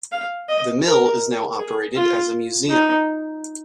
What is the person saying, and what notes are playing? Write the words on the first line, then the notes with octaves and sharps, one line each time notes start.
The mill is now operated as a museum.
F5
D#5
A#4
G#4
F4
D#4